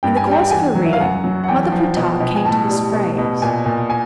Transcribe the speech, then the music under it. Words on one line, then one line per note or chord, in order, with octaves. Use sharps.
In the course of her reading, Mother Plutarque came to this phrase.
G2 G5
G#5
G3 G5
E2 G#5
F#3
E5
F5
F#2 F#5
F#3
F#5
E2 G5
F3
B2
B2
G#5
A2 A5
G3
B2
B2
A#2 G#5
A#2
G#5